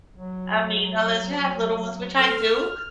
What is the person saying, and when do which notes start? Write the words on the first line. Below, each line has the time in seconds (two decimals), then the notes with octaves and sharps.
I mean, unless you have little ones, which I do,
0.15 F#3
2.19 A4 F6